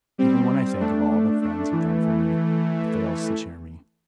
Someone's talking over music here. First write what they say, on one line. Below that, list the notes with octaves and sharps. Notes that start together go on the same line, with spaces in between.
Even when I think of all that friends have done for me, it fails to cheer me.
G3 C4
A3 D4
A3 D4
A3 D4
E3 A3